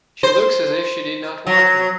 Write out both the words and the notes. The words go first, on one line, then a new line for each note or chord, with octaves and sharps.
She looks as if she did not want me.
C5
F#3